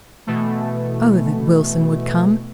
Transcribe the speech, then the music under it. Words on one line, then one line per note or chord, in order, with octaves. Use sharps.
Oh, that Wilson would come!
B2 E3 A3